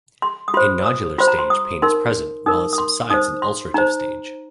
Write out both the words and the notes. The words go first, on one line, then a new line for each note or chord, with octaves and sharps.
In nodular stage, pain is present; while it subsides in ulcerative stage.
C6
D#6
F4 C5 C6
D#6
F4 C5 C6
A#5
C6
D#6
D#4 A#4 C6
D#4 A#4 D#6
D#6
C6
D#4 C5 D#6
C6
D#4 C5 A#5